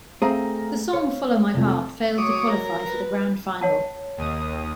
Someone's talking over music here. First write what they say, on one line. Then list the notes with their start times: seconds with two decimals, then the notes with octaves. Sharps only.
The song, "Follow My Heart", failed to qualify for the grand final.
0.22 A3 C4 G#4 F5 A#5
0.93 C5 C#5 F5
1.54 F1 F2
1.68 A5
2.18 F#3 C#5 D6 D#6
2.50 A#4
2.86 B4
3.61 C#5 F#5 A5
4.17 D#2 D#6